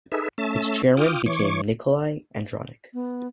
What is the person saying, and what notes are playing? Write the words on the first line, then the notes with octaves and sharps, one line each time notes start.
Its chairman became Nicolae Andronic.
D#4 G#4 A4 B4 E5
A3 C#4 E5 A5
F4 G5 D6 D#6 F6
E3 C#5 C#6 D6
B3